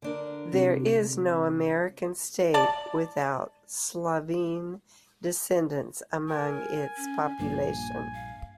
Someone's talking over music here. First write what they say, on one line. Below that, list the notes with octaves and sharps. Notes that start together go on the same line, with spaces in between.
There is no American state without Slovene descendants among its population.
D3 D4 A#4
C3
D5 A5
A#4 G#5
C#4
A#1 G2 A#2 A#3
F5